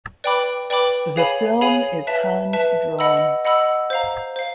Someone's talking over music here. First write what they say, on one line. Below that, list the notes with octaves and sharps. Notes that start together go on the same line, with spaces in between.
The film is hand-drawn.
B4 D5 G5 B5 D6
B4 D5 G5 B5 D6
G#4 C#5 F5 G#5 B5
G#4 C#5 F5 G#5 B5
B4 E5 A5
B4 E5 A5
D#5 F#5 B5 E6
D#5 F#5 B5 E6
C5 F5 A#5
C5 F5